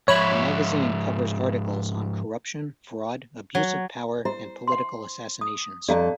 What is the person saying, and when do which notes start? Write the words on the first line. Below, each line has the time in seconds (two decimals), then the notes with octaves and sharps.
The magazine covers articles on corruption, fraud, abuse of power and political assassinations.
0.08 G#2 F3 C#5 E5 B5
3.55 F#3
4.25 E4 C5
4.68 F#5 C6
5.41 D#6
5.88 F2 A4 D5 F5 A#5